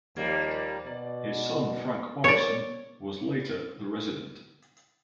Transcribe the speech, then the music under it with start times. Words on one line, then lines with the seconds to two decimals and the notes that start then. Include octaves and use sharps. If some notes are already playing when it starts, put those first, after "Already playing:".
His son Frank Morrison was later the resident.
0.16 D#2 F3 G3 A#3
0.86 B2 D5
2.24 C#5 D5